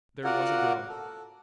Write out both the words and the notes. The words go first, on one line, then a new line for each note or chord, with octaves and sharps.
There was a girl.
F4 F#4 A#4 D5 F#5
A4